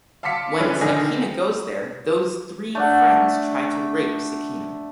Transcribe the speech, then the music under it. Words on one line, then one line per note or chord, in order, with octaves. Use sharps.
When Sakina goes there those three friends try to rape Sakina.
F5 A5 C6 D6 B6 C#7
D3 E3 F3 C#4 G#4 B4
B1 D3 D#3 D4 G#5 A#6
C4
A3 D4 F#5